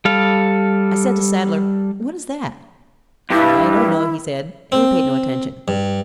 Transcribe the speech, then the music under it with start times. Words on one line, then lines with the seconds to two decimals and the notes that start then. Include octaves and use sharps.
I said to Sadler: 'What is that?' 'I don't know,' he said, and we paid no attention.
0.05 G3 A4 F5
3.32 G2 E4
4.72 C4
5.68 G2